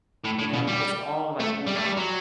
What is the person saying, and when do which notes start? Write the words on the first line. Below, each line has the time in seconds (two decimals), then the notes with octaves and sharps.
you know, it's all like one thing.
0.25 A2
0.39 A2
0.54 B2
0.68 G3
1.40 A3
1.68 G3
1.77 A3
1.87 G3
1.97 F#3